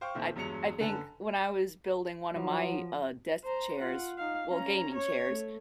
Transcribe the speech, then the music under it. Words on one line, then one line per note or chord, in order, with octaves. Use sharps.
I I think when I was building one of my, uh, desk chairs well, gaming chairs,
C5 F5 G5 C#6
A#2 D#3 C4 E4 A4
E2 G2 F#3 G#3 C#7 F7
F#2 D3 B4 G#5 A5 F7
F3 F#3
C5 A#5
F4 F#5
D#4 F5
C#4 A#5
C#5
A3